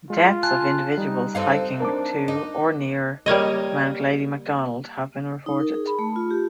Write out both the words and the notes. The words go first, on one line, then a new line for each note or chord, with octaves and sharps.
Deaths of individuals hiking to or near Mount Lady Macdonald have been reported.
G#3 F4
G#5 A5 F#6
G3 D#4
C4 D#4 A4 F5
D4 A#4 A5 D6
D#4
G3 A#3 C#5 D#5
D#4
A#4
G#4
B5
A3
F4
G4